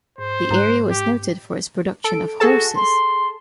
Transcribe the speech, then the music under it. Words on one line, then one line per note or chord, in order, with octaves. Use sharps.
The area was noted for its production of horses.
G#2 C5
G#2 A#5 F#6
G4
A4 D7
F#4 G#4 A4 A5
C6